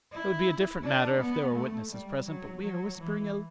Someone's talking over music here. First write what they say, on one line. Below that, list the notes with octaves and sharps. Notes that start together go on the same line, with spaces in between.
It would be a different matter if there were witnesses present, but we are whispering alone.
E4
D4
B3
A3
G3
F#3
F#3
E3